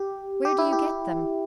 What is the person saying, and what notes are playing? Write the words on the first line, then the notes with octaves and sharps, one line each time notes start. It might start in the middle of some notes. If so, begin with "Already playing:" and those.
"Where do you get them?"
Already playing: G4
G4
E4
G4